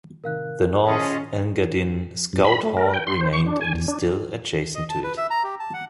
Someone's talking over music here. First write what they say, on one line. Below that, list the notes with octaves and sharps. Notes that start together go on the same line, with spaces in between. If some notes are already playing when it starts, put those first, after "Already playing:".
The North Engadine Scout Hall remained and is still adjacent to it.
A2 C3 D#3 A#4 F5 F#6
F#2 A#2 D#3 C#4 F4 G#4 D#5
F#2
B5
A3
A#4
G5
C6
C5
C#6
D4
G#5
E2
D4
D#5
A5
B4
E5
A#5
G4
A5
F#5